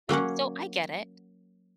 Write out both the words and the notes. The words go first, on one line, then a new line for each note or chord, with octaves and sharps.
eh, so I get it,
F#3 A#3 C#4 F#5